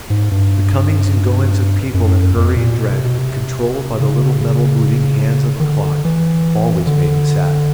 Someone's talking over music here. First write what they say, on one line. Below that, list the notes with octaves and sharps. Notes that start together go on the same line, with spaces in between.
The comings and goings of people in hurry and dread, controlled by the little metal moving hands of a clock, always made him sad.
G#2
G2
F#2
F2
A#2
B2
C3
B2
C3
C#3
C#3
D#3
D3
E3
D3